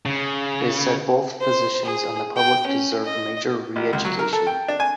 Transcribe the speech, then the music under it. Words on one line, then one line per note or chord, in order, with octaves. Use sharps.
They said both physicians and the public deserve major re-education.
C#3
C5
G#4
G5
C#4
D#5
A1
C#2
F#3
A#4
A4
G5
D4
G#5